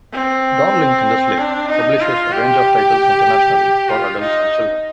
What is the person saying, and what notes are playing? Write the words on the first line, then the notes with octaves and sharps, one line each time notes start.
Dorling Kindersley publishes a range of titles internationally for adults and children.
C4
D4
D#4
F4
G4
F4
D#4